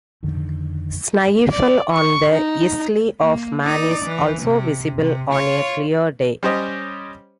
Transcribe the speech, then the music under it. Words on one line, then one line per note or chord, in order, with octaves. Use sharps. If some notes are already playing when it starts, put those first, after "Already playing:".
Snaefell on The Isle of Man is also visible on a clear day.
F2 D3 D#3
D5
C#6
D#4
A#3
D#4 D5
E3
C3
C3
F4 C#5
G3 C#4 G4 C5 C#5 D#5